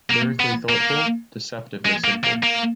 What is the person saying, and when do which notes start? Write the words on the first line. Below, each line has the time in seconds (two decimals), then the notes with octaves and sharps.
Lyrically thoughtful, deceptively simple.
0.11 A#3
0.40 B3
0.69 A#3
1.85 G#3
2.04 A#3
2.24 A#3
2.43 A#3